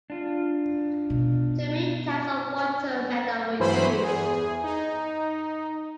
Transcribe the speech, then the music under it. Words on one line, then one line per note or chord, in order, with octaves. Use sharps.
Two main types of water-meadow were used.
D4 F4
B2
G2 E3 F#3 C5 B5
E2 G#4
D#4